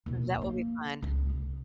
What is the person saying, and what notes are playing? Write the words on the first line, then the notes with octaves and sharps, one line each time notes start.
That will be fun.
D#2 B2
F3 A#3
C#2
C2